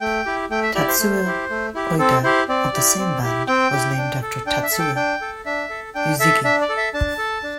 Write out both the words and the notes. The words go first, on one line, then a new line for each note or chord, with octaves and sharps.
Tatsuya Ueda, of the same band, was named after Tatsuya Uesugi.
A3 G5
E4 G4
A3 G5
E5
E4 G4 D5
C5
A3
E4 G4
A3
E4 G4
C4 A4
E4 G4 C5
C4 D5
E4 G4
C4
E4 G4
C4 G5
E4 G4
D4
A4
D4 G5
E5
A4
G5
D4 G5
A4
D4 E5
A4
D4 G5
A4 E5
D4 E5
D5
A4
E5
D4 A5
A4
D4